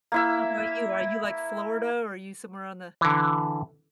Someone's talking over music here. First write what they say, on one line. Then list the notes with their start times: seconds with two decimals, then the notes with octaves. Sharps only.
How 'bout you? Are you, like, Florida, or are you somewhere on the
0.12 A#3 E4 E5
3.01 D3 E3